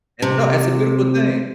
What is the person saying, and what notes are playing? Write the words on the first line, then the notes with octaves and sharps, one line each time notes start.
Eh, no, it's a beautiful thing,
C3